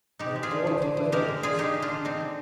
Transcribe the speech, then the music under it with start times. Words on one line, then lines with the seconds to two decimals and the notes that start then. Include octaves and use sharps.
"That fourth feather," she said.
0.19 G#3 D#4 G4
0.36 G#3
0.43 F4 G#4
0.51 D3
0.67 D3
0.82 D3
0.97 D3
1.12 G#3 G4 A#4
1.28 D3
1.43 D3 F4 G#4
1.58 D3 D#4 G4
1.74 G#3
1.82 D4 F4
1.89 D3
2.05 G#3 C4 D#4
2.20 D3